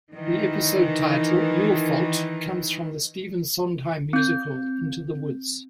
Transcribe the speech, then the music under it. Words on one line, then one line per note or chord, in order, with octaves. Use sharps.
The episode title "Your Fault" comes from the Stephen Sondheim musical, "Into the Woods".
D#3 E3
C4 G6